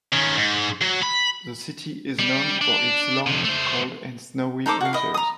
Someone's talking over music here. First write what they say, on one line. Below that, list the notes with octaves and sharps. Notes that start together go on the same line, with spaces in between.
The city is known for its long, cold and snowy winters.
D#3 C#4
G#2
F#3
B5
G3
D4
F2 C3
A3 C5
D#4 A4 C5 D6
F#4 F5
E4 D#5
A#5 D#6